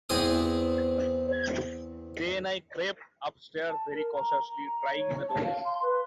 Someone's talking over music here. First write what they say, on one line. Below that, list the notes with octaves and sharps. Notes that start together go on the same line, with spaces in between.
Then I crept upstairs very cautiously, trying the doors.
E2 C4 G#4 D#6
A5
A#4
A#5
A#5
A#5
C#5
A5
F5
C6
B4